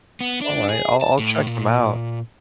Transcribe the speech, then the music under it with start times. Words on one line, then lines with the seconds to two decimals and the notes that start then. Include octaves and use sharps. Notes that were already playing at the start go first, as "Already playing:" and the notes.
Alright, I'll I'll check them out.
0.20 B3
0.41 D4
0.69 G#4
1.01 A5
1.19 A2
1.47 A#2